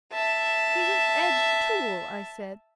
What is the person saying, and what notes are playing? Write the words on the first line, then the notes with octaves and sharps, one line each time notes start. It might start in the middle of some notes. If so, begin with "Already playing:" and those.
'He's an edged tool,' I said.
E5 A5